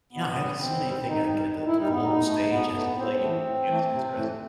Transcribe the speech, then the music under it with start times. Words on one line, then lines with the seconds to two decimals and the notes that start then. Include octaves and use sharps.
yeah, I haven't seen anything like at the g the global stage as of late. Yeah, that's interest
0.13 B2 B3
0.37 G3
0.60 B2 C4
0.83 G3
1.01 C4
1.07 D#3 D#4
1.30 G3
1.54 D#3
1.66 E4
1.78 G3 D#4
1.90 B3
2.01 B2 D#4
2.25 A3
2.49 B2 B3
2.73 A3
2.96 A2 C4
3.20 E3 A3
3.44 A2
3.67 E3 A3
3.91 C3
4.14 E3 A3